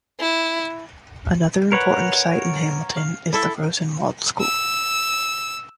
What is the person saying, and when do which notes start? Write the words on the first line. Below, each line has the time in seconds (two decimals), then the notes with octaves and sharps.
Another important site in Hamilton is the Rosenwald School.
0.20 E4
1.72 A#4 B4 C#5 F#5
2.97 F5
3.33 E4 A4 E5
4.41 E6